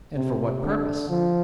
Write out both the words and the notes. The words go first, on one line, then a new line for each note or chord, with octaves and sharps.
And for what purpose?
C3
D3
F3